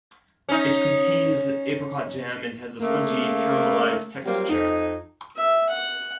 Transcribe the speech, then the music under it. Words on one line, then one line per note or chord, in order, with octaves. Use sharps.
It contains apricot jam and has a spongy caramelized texture.
C#4 D#4
C#3 A3 A#3
F#3 G3 A#3 C4 F4
F2 D#4
E5
F#5